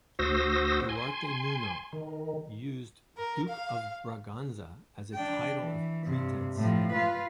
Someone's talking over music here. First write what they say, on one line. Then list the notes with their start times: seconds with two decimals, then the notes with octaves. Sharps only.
Duarte Nuno used "Duke of Braganza" as a title of pretense.
0.19 D2 F#4 C5 D#6 E6 A#6
0.89 G#5 C6
1.93 D#3
3.18 A#4
3.48 F5
5.14 D4 G5
5.58 E3
6.06 G2 C3
6.57 A2 F3
6.92 F4 B4